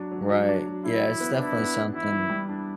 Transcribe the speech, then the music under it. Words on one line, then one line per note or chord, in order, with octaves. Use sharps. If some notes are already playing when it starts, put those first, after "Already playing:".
Right. Yeah. It's definitely something
Already playing: F#3 D4
F#3
F#3
D4
F#3
E3 E4
E3
B3
D4 E4
B3
B3
E3 E4
E3
G3
D4